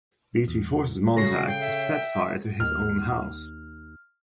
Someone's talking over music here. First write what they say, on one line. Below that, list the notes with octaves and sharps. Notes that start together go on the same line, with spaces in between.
Beatty forces Montag to set fire to his own house.
E2
C#3 F#4 A4 C#5 A#6 C7
G5
E5
D#2 F6